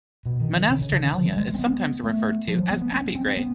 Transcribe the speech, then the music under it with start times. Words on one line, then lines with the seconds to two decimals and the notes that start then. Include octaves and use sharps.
Monasternalea is sometimes referred to as Abbeygrey.
0.26 B2
0.40 D#3
0.55 D#3
0.70 C#3
0.81 C#3
0.93 D3
1.04 D#3
1.15 F3
1.26 G3
1.36 G#3
1.48 A3
1.54 C4
1.59 B3
2.04 A3
2.48 F3
2.59 F#3
2.71 B3
2.82 B3
2.92 C#4
3.15 C4
3.26 C4
3.37 B3